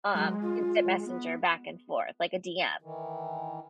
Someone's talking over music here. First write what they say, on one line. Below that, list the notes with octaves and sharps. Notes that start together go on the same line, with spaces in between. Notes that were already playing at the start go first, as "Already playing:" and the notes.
uh, instant messenger back and forth like a DM.
F#3 G#3
F4
B3
D#3 E3